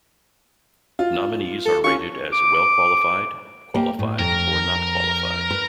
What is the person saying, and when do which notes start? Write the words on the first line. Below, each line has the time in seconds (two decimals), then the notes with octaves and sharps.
Nominees are rated as "well qualified", "qualified" or "not qualified".
0.99 F4
1.66 A4
1.84 C#4 F4 C#6
2.33 D6
3.75 A#3 G4
3.99 A2
4.19 F2 A#4
5.51 B4